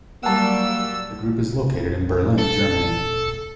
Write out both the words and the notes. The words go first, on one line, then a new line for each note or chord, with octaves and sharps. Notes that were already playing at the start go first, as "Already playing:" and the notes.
The group is located in Berlin, Germany.
F#3 G3 A#3 F#5 A5 E6
A4